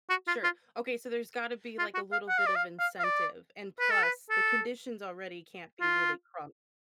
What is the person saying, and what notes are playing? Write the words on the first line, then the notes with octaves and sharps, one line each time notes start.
Sure. Okay, so there's gotta be like a little bit of incentive, and plus, the conditions already can't be really crummy.
F#4
F4
F4
F4
F#4
F5
F#5
F5
D5
F5
F5
F5
D5
B4
A4
B4
A4
F4